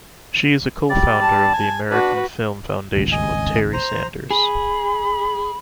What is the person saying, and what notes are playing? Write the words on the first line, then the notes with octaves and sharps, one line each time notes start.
She is a co-founder of the American Film Foundation with Terry Sanders.
G3 D5
A5
G#5
D4 F#4 B4
D#1 G#1 C#2
D#5 G#5
C5 A#5
G#4 B5